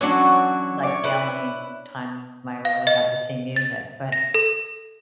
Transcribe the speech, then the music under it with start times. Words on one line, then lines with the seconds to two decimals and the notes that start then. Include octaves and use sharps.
like, the only time I ever really got to see music. But
0.01 E3 F#3 C#4 D4 F#4 C#5
0.83 C#5 D5
1.04 E4 B4
2.65 F5
2.87 D#5
3.56 A6
4.12 A#6
4.34 A4